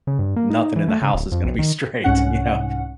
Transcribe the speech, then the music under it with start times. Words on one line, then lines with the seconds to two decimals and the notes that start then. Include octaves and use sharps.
nothing in the house is gonna be straight, you know?
0.07 C#3
0.19 G2
0.36 A#3
0.50 D#4
0.76 E3
0.88 A3
1.02 C#3
1.14 D1
1.32 F2
1.44 B1
1.59 D#3
2.04 C2 G#2 C#4 F#5